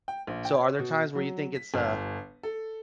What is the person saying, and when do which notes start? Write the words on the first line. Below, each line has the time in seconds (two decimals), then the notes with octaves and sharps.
So are there times where you think it's, uh
0.08 G5
0.27 A#1
0.45 G5
0.57 C#5
0.79 B2
1.15 F#3
1.56 B6
1.74 G1
2.43 A4